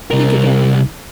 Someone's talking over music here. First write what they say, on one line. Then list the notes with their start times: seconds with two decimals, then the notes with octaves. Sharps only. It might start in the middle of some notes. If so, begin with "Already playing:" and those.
Think again.
0.11 C2 A#4